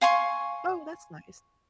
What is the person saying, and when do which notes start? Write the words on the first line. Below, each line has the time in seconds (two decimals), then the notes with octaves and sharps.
Oh, that's nice.
0.01 F5 G#5 C6 C#6